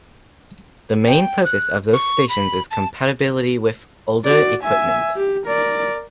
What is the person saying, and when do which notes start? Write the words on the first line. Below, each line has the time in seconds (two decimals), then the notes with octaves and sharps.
The main purpose of those stations is compatibility with older equipment.
1.07 G5
1.45 F#6
1.93 C#6
2.29 B5
2.71 A5
4.25 F#4 D5
4.64 E5 G#5
5.15 G4
5.47 A#4 D5